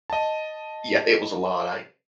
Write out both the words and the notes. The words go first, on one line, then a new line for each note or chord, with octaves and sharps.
Yeah, it was a lot. I
D#5 A5